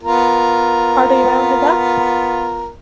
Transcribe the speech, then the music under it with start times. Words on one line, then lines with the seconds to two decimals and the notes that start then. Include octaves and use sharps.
Are they rounded up?
0.03 B3 F4 A#4